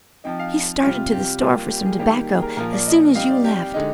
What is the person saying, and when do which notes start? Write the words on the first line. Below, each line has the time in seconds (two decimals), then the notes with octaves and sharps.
He started to the store for some tobacco as soon as you left.
0.24 F3 C4 D#4 G5
0.39 F5
0.83 C3 G3 C4 F4
1.12 G4
1.41 G3 A#3 F4
1.70 G4
1.85 G#4
1.99 D#3 G3 A#3 G4
2.29 G#4
2.42 A#4
2.57 A#2 F3 A#3 F4 A#4
2.72 D5
2.87 D#5
3.15 G3 C4 D#4 F5
3.30 D5
3.44 G4
3.74 D3 G#3 D#4